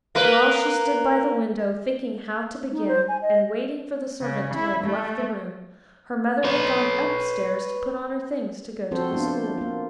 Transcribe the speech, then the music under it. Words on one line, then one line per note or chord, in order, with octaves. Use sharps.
But while she stood by the window, thinking how to begin, and waiting for the servant to have left the room, her mother had gone up-stairs to put on her things to go to the school.
A#3 B4
D#4
C5
G#5
D#5
C#3
E4
A3
B4 C#5
F3 C4 F#4 A4 C5
A3 B3 D4 F4
C5
A#3 F4